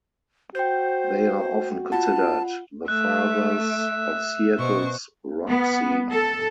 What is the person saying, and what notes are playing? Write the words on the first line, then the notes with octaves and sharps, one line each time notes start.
They are often considered the fathers of Seattle's rock scene.
F#4 C5 G5 G6
F4 F#5 A5
A3 E5 F#6
B2 C5 C#6
B3
A4